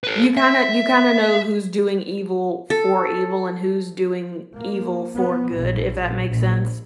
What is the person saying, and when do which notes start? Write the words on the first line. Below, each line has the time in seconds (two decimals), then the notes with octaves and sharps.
you kinda you kinda know who's doing evil for evil and who's doing evil for good, if that makes sense?
0.04 A4 B4
0.37 E5
2.70 A4
4.55 A#3
5.16 B3
5.55 A#1
6.29 A#1